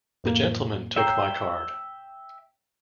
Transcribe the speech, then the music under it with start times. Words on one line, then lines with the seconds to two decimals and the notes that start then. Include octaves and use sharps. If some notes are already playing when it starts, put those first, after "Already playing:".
The gentleman took my card.
0.24 F2 A2 A#3
0.96 C#5 E5 G5 A#5 C7